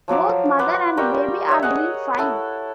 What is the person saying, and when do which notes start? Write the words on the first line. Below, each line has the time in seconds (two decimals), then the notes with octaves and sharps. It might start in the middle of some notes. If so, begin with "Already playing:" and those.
Both mother and baby are doing fine.
0.08 F3 F#3 F4 D6
0.59 F4 B4 F#5 D6
0.97 G3 A#4 G5 C#6
1.49 C#5 E5
1.63 G#4 D#5 F#5
2.18 E4 A4 F#5